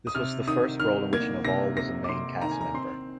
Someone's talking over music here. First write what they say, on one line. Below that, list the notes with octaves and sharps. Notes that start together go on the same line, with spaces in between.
This was the first role in which Neval was a main cast member.
D#6
C3 F6
D#3 D#6
D#3 F6
A#3 G#6
C3 A#6
C3 A#6
D6
C3 C6
D#3 A#5
G#5
A#5
C4 C6